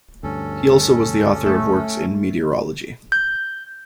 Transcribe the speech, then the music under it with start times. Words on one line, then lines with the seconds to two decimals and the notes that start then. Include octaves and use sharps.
He also was the author of works in meteorology.
0.23 D2 G2 C#4 A4
1.46 A3
3.12 G6